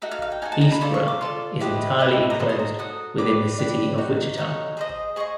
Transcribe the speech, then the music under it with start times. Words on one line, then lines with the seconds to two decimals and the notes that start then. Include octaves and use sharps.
Eastborough is entirely enclosed within the city of Wichita.
0.02 D#4 F#4 A4 E5
0.11 F5
0.22 F5
0.32 G5
0.42 D#4 F#4 A4 G#5
0.52 A5
0.61 A#5
0.72 B5
0.81 F4 A4 D5 C6
0.94 C#6
1.08 D6
1.21 F4 A4 D5 C6
1.60 E4 G4 B4 D#5
2.00 E4 G4 B4 D#5
2.30 A#5
2.39 F#4 A4 C5 D#5 B5
2.49 C6
2.59 A#5
2.79 F#4 A4 D#6
3.18 G4 B4 D5 D6
3.58 G4 B4 D5
3.98 D#4 F#4
4.38 D#4 F#4 A4 C#5
4.77 G#4 C5 D#5
5.16 G#4 C5 D#5 C#6